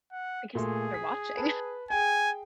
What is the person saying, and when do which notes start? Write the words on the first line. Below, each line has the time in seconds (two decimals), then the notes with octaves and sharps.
Because they're watching.
0.12 F#5
0.55 A#2 A3 G#4 C6
0.94 B6
1.37 B4 A5
1.90 G#4 G5 G#5